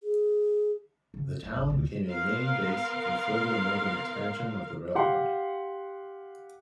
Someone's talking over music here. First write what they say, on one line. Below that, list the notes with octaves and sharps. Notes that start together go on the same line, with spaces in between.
The town became a main base for further northern expansion of the railroad.
G#4
C#3
G#3
A1
D2
B3 A#4 F5 C6
G4 F5 F#5 C6